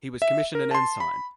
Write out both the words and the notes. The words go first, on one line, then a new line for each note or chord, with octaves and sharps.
He was commissioned an ensign.
E5
A#4
A5 C6
B5